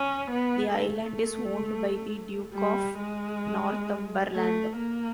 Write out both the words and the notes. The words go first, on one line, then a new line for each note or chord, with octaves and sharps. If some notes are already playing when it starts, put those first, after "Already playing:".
The island is owned by the Duke of Northumberland.
Already playing: C#4
B3
A3
G3
G#3
A3
A#3